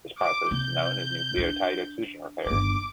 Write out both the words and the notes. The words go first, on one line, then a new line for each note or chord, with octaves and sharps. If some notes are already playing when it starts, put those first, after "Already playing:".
This process is known as nucleotide excision repair.
D6
C3 G6
D4 E4
G1 D#3 D6